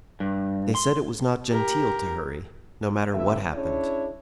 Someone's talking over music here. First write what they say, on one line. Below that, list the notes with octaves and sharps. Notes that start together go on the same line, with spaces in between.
They said it was not genteel to hurry, no matter what happened.
G2
C6
G4 A#4
G1 G2 C3 A4 E5
C#4 D4 E4 G#4 C#5